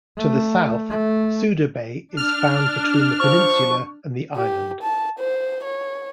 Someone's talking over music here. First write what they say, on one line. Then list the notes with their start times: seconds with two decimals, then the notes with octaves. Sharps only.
To the south, Souda Bay is found between the peninsula and the island.
0.17 A3
0.90 A3
2.17 D4 F6
3.20 F3 C#6
4.36 G4
4.83 A5
5.19 C5
5.64 C#5